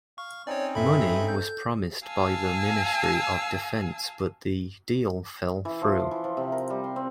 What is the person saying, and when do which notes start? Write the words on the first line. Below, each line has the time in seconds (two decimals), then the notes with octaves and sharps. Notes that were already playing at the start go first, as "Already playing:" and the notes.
Money was promised by the Ministry of Defence but the deal fell through.
0.18 F5 C#6
0.47 C4 C#4 D#4 C#5 D5
0.75 G2 A4 E5 B5
1.28 G6
2.05 F5 G#5 A5 E6
5.65 E3
5.82 F3
6.00 C6
6.11 E3
6.24 F3
6.37 C3
6.52 A#4
6.70 G3
6.84 C6
6.96 C4